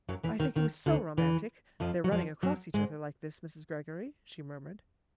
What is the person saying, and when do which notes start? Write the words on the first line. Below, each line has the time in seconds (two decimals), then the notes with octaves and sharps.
"I think it was so romantic--their running across each other like this, Mrs. Greggory," she murmured.
0.09 F#2 F#3
0.23 E2 E3
0.39 D#2 D#3
0.55 D#2 D#3
0.86 D2 D3
1.17 E2 E3
1.80 F2 F3
2.04 F#3
2.11 F2 F3
2.42 F#2 F#3
2.74 G#2 G#3